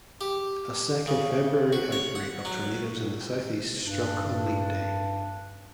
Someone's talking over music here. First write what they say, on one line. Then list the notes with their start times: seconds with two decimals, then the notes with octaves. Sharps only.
A second February outbreak of tornadoes in the Southeast struck on Leap Day.
0.21 G4
1.07 C#3
1.73 F#4
1.92 C#5
2.15 F#5
2.45 F#3
3.84 G2 D4